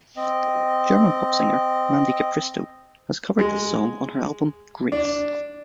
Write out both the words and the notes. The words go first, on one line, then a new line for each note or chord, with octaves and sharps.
German pop singer Mandy Capristo has covered this song on her album "Grace".
C4 D#5
G#3
D4